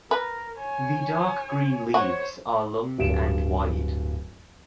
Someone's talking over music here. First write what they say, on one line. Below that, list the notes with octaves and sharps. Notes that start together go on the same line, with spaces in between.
The dark green leaves are long and wide.
A#4 B4
C#5 G#5
F#4 C5 C#5
D1 G2 D7 E7